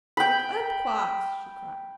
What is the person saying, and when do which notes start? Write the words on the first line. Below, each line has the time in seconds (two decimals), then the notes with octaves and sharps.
"Wake up, Quox!" she cried.
0.17 G5 B5